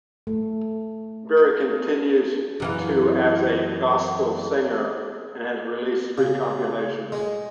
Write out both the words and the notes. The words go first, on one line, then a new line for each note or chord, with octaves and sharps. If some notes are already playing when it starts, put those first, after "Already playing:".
Berry continues to as a gospel singer, and has released three compilations.
A3
F#2 E3 F5
C#3
G#3